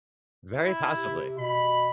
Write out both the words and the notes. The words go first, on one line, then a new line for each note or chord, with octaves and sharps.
Very possibly.
E4
C3
B2 B5